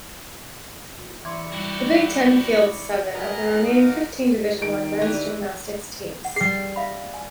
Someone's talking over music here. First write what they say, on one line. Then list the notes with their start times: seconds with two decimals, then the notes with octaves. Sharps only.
The Big Ten fields seven of the remaining fifteen Division One men's gymnastics teams.
1.25 E3 E4 D5 C6 C#6
1.52 G3 F#4 G4
3.14 G#4 A#4 B4 D#5 F#5 A#5
3.68 D#4 F#4 A#4 F5 D6
4.62 D#3 D7
5.01 E3 D4 E4 G4
6.25 F#5
6.36 G3 G#4 C7
6.76 E5 F5 B5
7.14 G#5